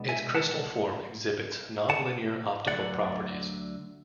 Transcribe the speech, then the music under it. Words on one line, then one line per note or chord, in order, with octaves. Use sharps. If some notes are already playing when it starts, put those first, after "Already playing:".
Its crystal form exhibits nonlinear optical properties.
Already playing: B2 G#3 B3 D4
E5 G#5
F#5 A5
F#5 A5
D2 D3 F#3 D5 F#5